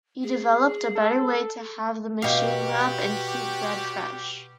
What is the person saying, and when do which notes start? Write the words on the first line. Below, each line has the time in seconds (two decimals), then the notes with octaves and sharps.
He developed a better way to have the machine wrap and keep bread fresh.
0.23 G#4
0.95 A4
2.22 B2 G3 F#4 G4 F5